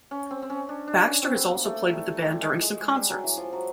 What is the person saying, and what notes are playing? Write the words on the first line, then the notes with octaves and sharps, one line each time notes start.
Baxter has also played with the band during some concerts.
C#4
C4
C4
C#4
D4
D4
C#4
C4
B3
A#3
A3
G3
G3
G#3
G#3
G#3
G3
F#3
E3
F3
F#3